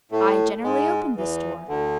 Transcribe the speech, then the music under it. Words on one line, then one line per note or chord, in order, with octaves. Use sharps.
I generally opened the store.
A2 A3
G#2 G#3
E2 E3
D2 D3